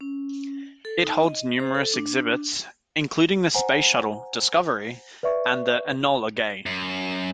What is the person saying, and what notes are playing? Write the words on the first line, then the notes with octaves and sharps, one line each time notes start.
It holds numerous exhibits, including the Space Shuttle "Discovery" and the "Enola Gay".
C#4
A4
D#4
D#5
C5
A4
D4
C5 F#5 G#5 A#5
B4 D5 E5 C#6
F#2